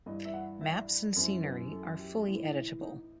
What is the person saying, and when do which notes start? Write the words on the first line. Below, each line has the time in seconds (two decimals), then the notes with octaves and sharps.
Maps and scenery are fully editable.
0.06 G2 E3 D#5
0.25 E5
0.33 F#5
0.61 E5
1.16 F#2 E3 C5
1.44 B4
1.72 A4
1.99 G4
2.27 A2 E3
2.81 D#4